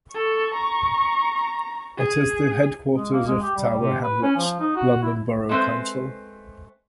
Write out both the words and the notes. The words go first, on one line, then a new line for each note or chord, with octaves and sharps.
It is the headquarters of Tower Hamlets London Borough Council.
A4 C#6
A#5
G#4
G#3
A#3
G#3
G4
G3
C3
B4
C#4
F3
D#4
F#4
E4
G#3 A3 C4 B4 C5